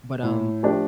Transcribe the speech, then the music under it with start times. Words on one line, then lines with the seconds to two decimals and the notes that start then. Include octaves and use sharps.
but, um
0.23 A2
0.63 F3 A3 D4 G4